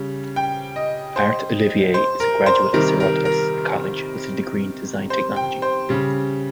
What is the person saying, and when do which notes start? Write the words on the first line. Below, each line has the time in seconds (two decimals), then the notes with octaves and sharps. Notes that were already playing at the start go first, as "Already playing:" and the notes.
Art Olivier is a graduate of Cerritos College with a degree in Design Technology.
Already playing: C#3 G3
0.36 G5
0.76 D#5
1.16 C5
1.94 C5
2.20 A#4
2.46 C5
2.73 C3 D#3 G3 A#4
3.00 A#4
3.25 A#4
5.10 C5
5.36 G5
5.62 C5
5.89 C#3 G3